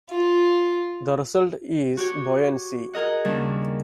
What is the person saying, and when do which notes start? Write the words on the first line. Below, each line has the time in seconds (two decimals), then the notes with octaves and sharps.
The result is buoyancy.
0.10 F4
1.97 F#4 G4 C#5
2.93 G#4 A#4 D#5 F#5
3.25 D#2 C#3 G3 D4